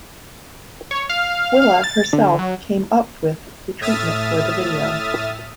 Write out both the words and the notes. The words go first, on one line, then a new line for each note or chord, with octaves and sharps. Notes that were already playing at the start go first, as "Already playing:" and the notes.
Willa herself came up with the treatment for the video.
C#5
F5
F5
A6
D3
F#3
A2 E5 D#6 F6 A6